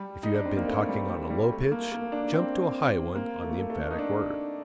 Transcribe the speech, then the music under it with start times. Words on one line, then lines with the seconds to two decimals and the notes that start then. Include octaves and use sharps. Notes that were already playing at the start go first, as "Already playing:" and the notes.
If you have been talking on a low pitch, jump to a high one on the emphatic word.
Already playing: G3
0.23 D#4
0.34 D4
0.45 C4
0.57 A#3
0.68 A3
0.89 G3
1.09 G3
1.30 G3
1.51 A3
1.72 A#3
1.92 A#3
2.12 D4
2.33 C4
3.15 A#3
3.43 A3
3.51 A#3
3.58 A3
3.70 A3
3.91 D#4
3.99 D4